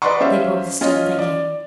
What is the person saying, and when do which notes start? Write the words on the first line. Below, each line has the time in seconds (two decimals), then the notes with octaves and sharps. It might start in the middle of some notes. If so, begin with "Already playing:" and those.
They both stood thinking.
0.02 B4 D5 D#5 F#5 C6 C#6
0.20 C#4 C5 E5 F5
0.81 C#4 F4 D#5
1.19 D5